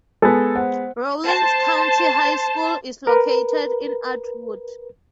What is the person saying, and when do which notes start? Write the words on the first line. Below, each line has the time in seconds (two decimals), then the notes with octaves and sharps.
Rawlins County High School is located in Atwood.
0.22 G#3 B3 A4 G#5
0.55 C5 F#5
1.24 C5 A5
3.07 A#4 B4